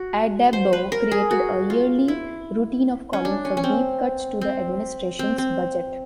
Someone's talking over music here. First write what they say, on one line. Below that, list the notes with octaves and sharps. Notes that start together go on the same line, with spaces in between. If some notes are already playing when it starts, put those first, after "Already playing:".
Addabbo created a yearly routine of calling for deep cuts to the administration's budget.
Already playing: F#4
C5
B4
A#4
G#4
F#4
F4
E4
C#4
D4
C#4
C#4
C4
C4
C4
C4